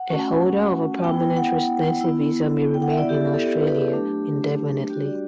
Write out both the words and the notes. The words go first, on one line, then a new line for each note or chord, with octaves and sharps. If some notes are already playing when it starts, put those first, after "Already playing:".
A holder of a permanent residency visa may remain in Australia indefinitely.
Already playing: F#5
A3 C#4 F#4
B3 E4 G5
G5
F#5
B3 E4
G5
F#5
E5
B3 E4 D5
G4
A4
G4
A4
G4
B4
B4
G4
F#3 A3 D4
G3 D4 F#4 G4
D5